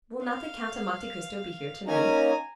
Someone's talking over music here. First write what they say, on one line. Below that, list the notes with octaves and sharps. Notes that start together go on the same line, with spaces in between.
"Will not the Count of Monte Cristo be here to-night?"
F5
A#3 C#4 D#4 G#5 A#5